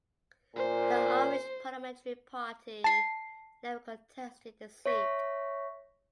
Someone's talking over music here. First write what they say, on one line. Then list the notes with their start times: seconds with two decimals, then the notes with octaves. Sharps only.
The Irish Parliamentary Party never contested the seat.
0.56 A#2 C5
2.84 A5 C7
4.86 C#5 E5 C#6 A#6 B6